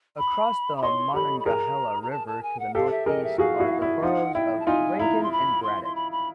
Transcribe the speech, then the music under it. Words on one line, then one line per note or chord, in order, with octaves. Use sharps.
Across the Monongahela River to the northeast are the boroughs of Rankin and Braddock.
B5
B5
C#5 D#5 C6
G4 A4 B5
B5
G#4 A#4 A#5
A#5
A5
A5
G#5
F#5
G4 A4 F5
E5
G#4 A#4 D#5
E5
F#4 G#4 F5
E4 F#4
E4
D#4 F4 F#5
E4 G5
A5
D#4 F4 G#5
E4 A#5
C6
B5
C6
C6
B5
B5